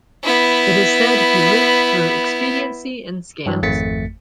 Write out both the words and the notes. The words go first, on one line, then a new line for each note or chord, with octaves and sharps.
It is said he lived through expediency and scams.
B3 E4
G2 E3 F#3
G#1 F2 A3 A6 B6 C#7